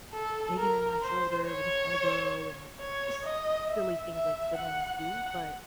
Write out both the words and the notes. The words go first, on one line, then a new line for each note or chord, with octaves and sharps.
digging in my shoulder with his elbow and, like, just silly things like siblings do, but
A4
A#4
C5
C#5
C#5
D#5
E5
E5
F#5
F#5